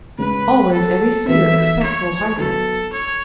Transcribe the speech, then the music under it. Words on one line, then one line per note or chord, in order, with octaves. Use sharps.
Always every suitor expects whole heartedness.
C#3 G#3 C#4 B4
A4
E3 B3 D#4 F#4 A4 E5
C#5
F#3 B3 E4 A4
C#5